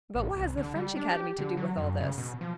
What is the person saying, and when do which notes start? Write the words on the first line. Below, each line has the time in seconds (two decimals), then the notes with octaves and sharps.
"But what has the French Academy to do with all this?"
0.15 A1
0.37 C2
0.57 D3
0.75 G3
0.97 D4
1.11 G4
1.39 D3
1.57 F#3
1.78 F#2
2.00 C#3
2.18 B2
2.41 F3